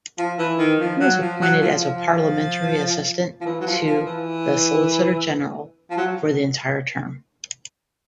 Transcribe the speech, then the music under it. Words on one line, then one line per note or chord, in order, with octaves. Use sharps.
He was appointed as a parliamentary assistant to the Solicitor-General for the entire term.
F3
E3
D#3
F3
F#3
F3
F#3
F3
F3
F3
E3
F#3
F3
F3
E3
F3
F#3